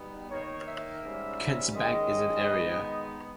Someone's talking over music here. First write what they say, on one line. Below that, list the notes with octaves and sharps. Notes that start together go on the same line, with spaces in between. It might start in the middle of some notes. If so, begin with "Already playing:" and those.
Kents Bank is in area.
Already playing: B2 G3 B3 D#4
D#3 A#3 D#4 C#5
E5
G#2 G3 C#4
D#3 G#3 C#4 D#5
D#3 G#3 B3 D#4